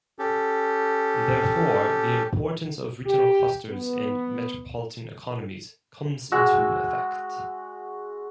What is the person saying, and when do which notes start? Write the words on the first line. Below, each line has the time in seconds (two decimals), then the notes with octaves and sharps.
Therefore, the importance of regional clusters and metropolitan economies comes into effect.
0.19 C#4 G4 A4
3.06 G4
3.70 B3
6.32 G#3 F#4 E6